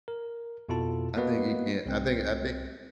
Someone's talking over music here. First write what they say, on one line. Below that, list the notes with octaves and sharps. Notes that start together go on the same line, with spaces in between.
I think it can I think I think,
A#4
F2 B2 E4 F4 A4 A5
A#3 B3 F#4 B4 D#5
C2 C4